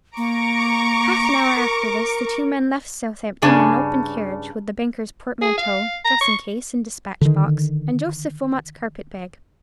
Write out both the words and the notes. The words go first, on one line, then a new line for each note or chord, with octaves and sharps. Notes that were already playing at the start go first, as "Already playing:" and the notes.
Half an hour after this the two men left Southampton in an open carriage, with the banker's portmanteau, dressing-case, and despatch-box, and Joseph Wilmot's carpet-bag.
A#3 A#5 C#6 D6
A#4
G2 C#3 D4 G#5 A5
G#4
F5
A#5
C#6
D3 D#3